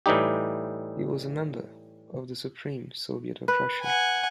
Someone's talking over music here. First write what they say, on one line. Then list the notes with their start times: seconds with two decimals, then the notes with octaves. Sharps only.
He was a member of the Supreme Soviet of Russia.
0.06 A2 E3 G3 D#4 G4
3.48 B4
3.82 F#5 G#5